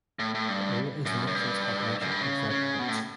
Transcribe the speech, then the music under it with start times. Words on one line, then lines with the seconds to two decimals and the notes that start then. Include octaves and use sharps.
The area is known for its population of red kites.
0.19 A2
0.34 A2
0.48 G2
1.06 F#2
1.27 F#2
1.35 G2
2.02 F#2
2.11 G2
2.21 C#3
2.50 C#3
2.79 B2
2.88 A2